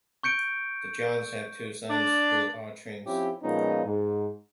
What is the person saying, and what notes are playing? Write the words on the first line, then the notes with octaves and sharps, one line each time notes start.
The Johns have two sons, who are twins.
C#6 G6 C#7 D7
D4 D5
F3 C4 C#4 E4 G4
A#2 F3 G#3 B3 C#4 D#4
G#2